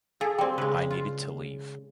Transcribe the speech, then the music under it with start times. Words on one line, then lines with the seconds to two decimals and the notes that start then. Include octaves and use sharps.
I needed to leave.
0.21 G#4 A4 F5 G#5
0.38 G3 C4 D5 G5
0.58 C#3 G#3 B4
0.91 F4